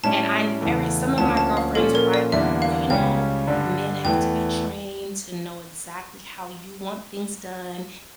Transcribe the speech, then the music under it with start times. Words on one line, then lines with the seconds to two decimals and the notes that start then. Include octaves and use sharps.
and I every some of my girlfriends are, like, "Well, you know, men have to be trained to know exactly how you want things done."
0.03 A2 G3 C#4 E4 A5
0.61 E2 C#3 E3 A3
1.18 D2 D3 F3 A#3 C#4 A5
1.37 A5
1.57 F5
1.75 A#2 F3 C#4 F4 A4
1.95 A#4
2.14 D5
2.32 E2 D3 G3 A#3 E5
2.62 F5
2.90 C#2 C#3 G3 C#4 G5
3.47 G2 D3 G3
4.05 E2 E3 A3 G5